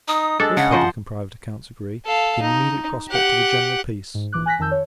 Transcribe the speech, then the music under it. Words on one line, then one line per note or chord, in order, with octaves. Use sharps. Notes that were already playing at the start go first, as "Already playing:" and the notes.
All public and private accounts agree, in the immediate prospect of a general peace.
D#4 D#6
G#3 D4 A4
C#3 F#5
F3 C5 D#5
A4 F5
D#4
G4 F#5
G#2
A#1 E3 D6 F#6
G#5 F#6 A#6 B6
F2 D#3 A5 E6 G6
C#5